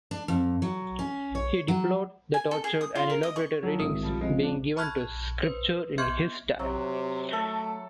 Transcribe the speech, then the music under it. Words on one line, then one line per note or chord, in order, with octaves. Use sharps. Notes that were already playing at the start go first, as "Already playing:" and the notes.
He deplored the tortured and elaborated readings being given to Scripture in his time.
D4
F2
F#3
C#4
C#5
F#3
G#5
A4
G#4
D#6
F4
A#4
D#5
C#6
F3 F#3
G#1 E4 D#6
F3 G3
F2 G#3
D4
A5 B5 C#6 F6 F#6 G#6
B4 C5
B3 E5 C6 G6 G#6
C3 F#3
A3 A4